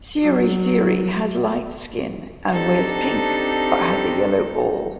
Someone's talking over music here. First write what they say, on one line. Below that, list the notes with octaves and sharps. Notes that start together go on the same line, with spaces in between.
CereCere has light skin and wears pink, but has a yellow ball.
F#3
C4 D4 D#4 G4 A4 C5